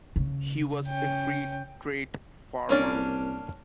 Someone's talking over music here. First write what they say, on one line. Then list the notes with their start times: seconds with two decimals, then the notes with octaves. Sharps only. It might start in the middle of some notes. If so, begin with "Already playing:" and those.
He was a free-trade farmer.
0.16 C#3
0.88 C#4 G5
2.69 C2 A#3 C#4 D4